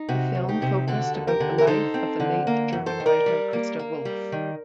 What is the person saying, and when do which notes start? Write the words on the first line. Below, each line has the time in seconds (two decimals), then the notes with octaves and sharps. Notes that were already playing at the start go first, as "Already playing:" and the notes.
The film focused about the life of the late German writer Christa Wolf.
Already playing: D#4
0.09 C3 F#4
0.35 D2
0.48 D#4 G4
0.62 C3
0.87 D3 F#4 A4
1.14 D#2
1.27 G4 A#4
1.40 D3
1.58 A#4
1.67 D#4 A4 C5
1.94 C4
2.20 D3
2.47 A#3
2.73 F#2
2.86 A4 C5
3.00 D#3
3.06 A#4 D5
3.26 G3
3.53 A#3
3.79 A#3
4.05 G3
4.32 D#3